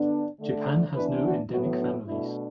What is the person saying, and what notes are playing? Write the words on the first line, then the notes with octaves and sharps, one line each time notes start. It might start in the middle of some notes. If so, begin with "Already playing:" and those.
Japan has no endemic families.
Already playing: D3 B3 D4
D3 A3 D4
E3 B3 D4 B4
F#4
A2 F#3 B3 F#4
D4
B2 A3 D4 E4